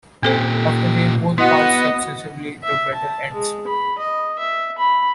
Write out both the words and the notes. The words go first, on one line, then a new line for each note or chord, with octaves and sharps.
After they both pass successively the battle ends.
A#2 C4 G4 A4 C5
B3 E4 F#4 D#5 F#5
E5
A5
G#3
B5
D#5
E5
B5